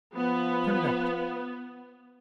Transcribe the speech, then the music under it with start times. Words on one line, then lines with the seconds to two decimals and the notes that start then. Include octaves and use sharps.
"Turn it out!"
0.15 F3 B3